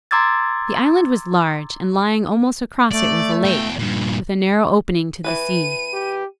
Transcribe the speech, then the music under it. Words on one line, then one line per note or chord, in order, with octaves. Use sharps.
The island was large, and lying almost across it was a lake, with a narrow opening to the sea.
A#5 C6 D6 E6 G#6 A6
A3 D5
E2 G5
G2 A#2
E3 F#3 B4 D#7
G4